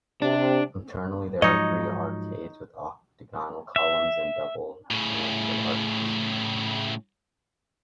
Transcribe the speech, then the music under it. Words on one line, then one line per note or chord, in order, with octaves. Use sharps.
Internally there are three arcades with octagonal columns and double-chamfered arches.
C3 D4
G#2 F3 F#3 D#4 C#5 D#5
E5
A2 C#3